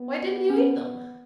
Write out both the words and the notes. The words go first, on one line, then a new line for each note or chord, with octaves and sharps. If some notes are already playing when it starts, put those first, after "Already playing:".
"Why didn't you eat them?"
Already playing: B3
C#4